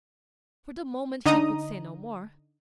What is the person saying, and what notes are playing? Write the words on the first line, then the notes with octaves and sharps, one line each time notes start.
For the moment he could say no more.
D3 D#4 D#5 A#5 D#6